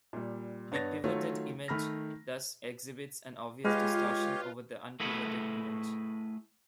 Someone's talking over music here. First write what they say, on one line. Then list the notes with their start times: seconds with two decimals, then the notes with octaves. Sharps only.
The pivoted image thus exhibits an obvious distortion over the unpivoted image.
0.13 A#2 G3
0.72 G2 B3 C#5 A6 A#6
1.04 D#3 F#3 A3 F4 C#5
1.68 D#3 A3 B5 F6 A#6
3.65 G#3 F4 G4 B4 C#5 D#5 F5
5.00 A3 E4 G#4 B4 F#5